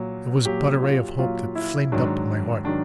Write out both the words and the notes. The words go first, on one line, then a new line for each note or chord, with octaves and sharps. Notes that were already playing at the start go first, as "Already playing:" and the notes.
It was but a ray of hope that flamed up in my heart.
Already playing: A#2 F#3
A#2 F#3 G4
F4
A#2 F#3 F4
E4
G#2 D#3 F#3 D4
D#3 F#3 D4